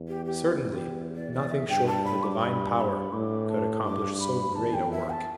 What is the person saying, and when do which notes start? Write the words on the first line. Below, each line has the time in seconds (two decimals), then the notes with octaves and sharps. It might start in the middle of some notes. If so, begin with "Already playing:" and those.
Certainly nothing short of a divine power could accomplish so great a work.
Already playing: E2
0.08 G4
0.26 G4
0.50 E4
0.74 G4
1.15 D5
1.33 D5
1.52 E5
1.69 G2 G5
1.87 A5
2.05 B5
2.23 D6
2.41 B5
2.77 B5
3.13 A2 D6
3.49 A5
3.84 G2 D6
4.20 B5
4.56 E2 A5
4.74 G5
4.91 E5
5.10 A5